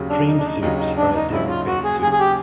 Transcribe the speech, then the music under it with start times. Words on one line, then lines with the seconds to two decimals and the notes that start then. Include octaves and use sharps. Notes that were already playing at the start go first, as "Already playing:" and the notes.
Cream soups are a dairy based soup.
Already playing: D#2 C#3 F#3
0.09 D4
0.28 D#4
0.38 D4
0.45 D#4
0.62 D#2 C#3 F#3 D#4
0.80 D#4
0.97 D4
1.15 D#4
1.32 D#2 C#3 F#3 E4
1.49 F4
1.67 F#4
1.84 G#4
2.02 D#2 C#3 F#3 G#4
2.12 G#4
2.19 G4